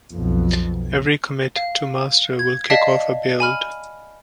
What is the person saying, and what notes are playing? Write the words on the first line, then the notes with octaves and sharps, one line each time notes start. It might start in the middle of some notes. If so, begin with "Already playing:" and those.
Every commit to master will kick off a build.
B1 F2 B2
F5
G#6
D5 D#5 F5 A5 B6
G#5 B5 F6